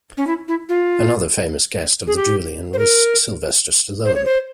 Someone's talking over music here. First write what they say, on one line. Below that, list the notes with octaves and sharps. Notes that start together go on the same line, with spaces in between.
Another famous guest of the Julien was Sylvester Stallone.
C#4
E4
E4
F4
G#4
G4
C5
A#4
C5
C#5
C5